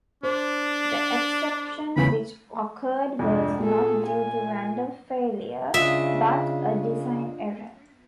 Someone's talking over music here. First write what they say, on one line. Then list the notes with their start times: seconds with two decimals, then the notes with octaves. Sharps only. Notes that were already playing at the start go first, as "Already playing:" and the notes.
The exception which occurred was not due to random failure but a design error.
0.23 D4 C5
1.96 E2 C#3 E3 B5
3.19 F2 G#2 C3 D4
3.60 A#2 G#4 A4
4.07 G#5
5.74 C#3 D4 F4 D#5 E5